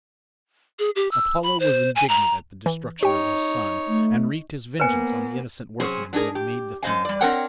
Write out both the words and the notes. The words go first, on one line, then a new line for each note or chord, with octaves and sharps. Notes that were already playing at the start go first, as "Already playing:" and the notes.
Apollo was indignant at the destruction of his son, and wreaked his vengeance on the innocent workmen who had made the thunderbolt.
G#4
G4
E6
B5
C5
G#5
A#5
E3
D#4 G4 C#5 G5
A3
A#3 B3 B4 C5 G#5
C3 F#3 C#4 G#4 C5
F#3 D4 D#4 G#4 A#4
G4
F#2 A3 C5 D#5 F5 G#5
G3 D5
C4 D4 A#4 C#5 F#5 G5